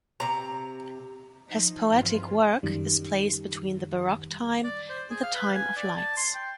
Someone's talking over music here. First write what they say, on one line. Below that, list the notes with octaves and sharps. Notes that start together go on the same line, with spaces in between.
His poetic work is placed between the baroque time and the time of lights.
C3 A#5
F3 D#4
G2 C3 E3 F4
F#2 D#3 G3
D5
C5
G#4
F5
B4
G#5
D5
A5
C6
G5